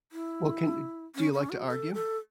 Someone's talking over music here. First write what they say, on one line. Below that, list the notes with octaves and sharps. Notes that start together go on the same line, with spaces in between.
Well, can you d do you like to argue?
E4
C#4
C#4
F#4
A4
A4